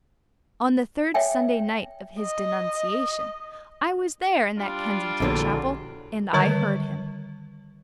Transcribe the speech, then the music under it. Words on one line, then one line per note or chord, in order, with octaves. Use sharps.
On the third Sunday night of his denunciation I was there in that Kensington chapel, and I heard him.
C#5 E5 G5 G#5
D#5
G3 D4 F4
A#1 E2 D3 F#3
D3 D#3 G3 A#4 C#5 C#6